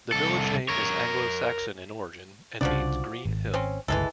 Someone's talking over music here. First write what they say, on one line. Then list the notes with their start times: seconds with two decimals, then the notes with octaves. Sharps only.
The village name is Anglo Saxon in origin, and means 'green hill'.
0.12 C2 A4
0.69 A#4 C#5
2.61 C2 C#3 F3 D4 F#4 D5
3.26 G#1
3.54 C4 C#4
3.88 G1 C#2 E3 G#3 A4